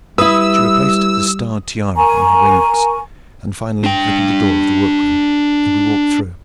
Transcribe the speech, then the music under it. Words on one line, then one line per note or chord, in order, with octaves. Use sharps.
She replaced the starred tiara on her ringlets and finally opened the door of the workroom and we walked through.
G3 E4 B4 D#6 E6
A#4 G#5 A#5 C#6
D4 G5